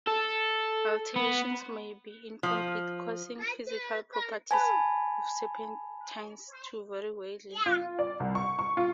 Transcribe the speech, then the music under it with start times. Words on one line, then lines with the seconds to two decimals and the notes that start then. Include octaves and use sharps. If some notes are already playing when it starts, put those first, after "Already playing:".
Alterations may be incomplete, causing physical properties of serpentines to vary widely.
0.07 A4
1.16 B3
2.43 F3
4.51 G#5 A5 B5
7.66 F4
7.99 D5
8.20 C2
8.35 C#6
8.59 C#6
8.77 F4